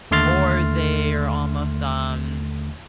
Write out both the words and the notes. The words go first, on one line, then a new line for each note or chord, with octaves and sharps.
or they are almost, um
D#2 D3 A3 C6 F6 A6